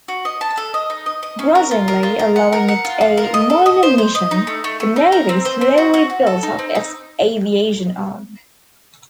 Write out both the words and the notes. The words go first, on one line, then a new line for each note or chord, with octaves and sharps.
Grudgingly allowing it a minor mission, the navy slowly built up its aviation arm.
F#4
D#5
A5
A4
D#5
D#4
D#5
D#5
C#4
A#4
F4
A#4
F4
A#4
F#5
A#4
F#5
F4
F4
A#4
D#5
A4
D#5
C5
C5
D#5
D#4
A3
A3
A3
D#4
A#4
C4
C5
C4
F#4
F#4
F#4
A4
D#4
C4
D#4